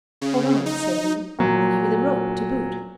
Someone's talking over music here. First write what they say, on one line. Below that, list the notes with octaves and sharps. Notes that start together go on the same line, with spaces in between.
"Hold on," said he, "I'll give you the rope to boot."
C#3
D#4
A#2 F#3